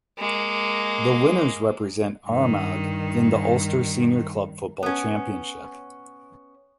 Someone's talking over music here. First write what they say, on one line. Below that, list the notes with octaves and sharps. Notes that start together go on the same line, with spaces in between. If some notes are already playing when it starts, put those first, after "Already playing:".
The winners represent Armagh in the Ulster Senior Club Football Championship.
G#3 A#3
G2 D#3
B3 C#4